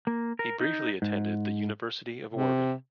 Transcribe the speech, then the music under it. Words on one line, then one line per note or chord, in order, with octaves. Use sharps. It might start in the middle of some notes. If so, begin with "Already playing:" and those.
He briefly attended the University of Oregon.
A#3
A#4
D#4
G#2
C3